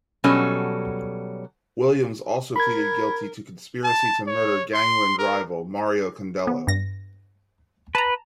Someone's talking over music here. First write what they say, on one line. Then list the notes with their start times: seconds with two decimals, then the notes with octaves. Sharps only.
Williams also pleaded guilty to conspiracy to murder gangland rival Mario Condello.
0.24 B2 F#3 G3 C#4 A4
2.56 A#4 B5 G#6
3.84 A5
4.27 C#5
4.74 C6
5.19 A#4
6.47 B3
6.67 G2 A#6
7.95 B4 A5 A#5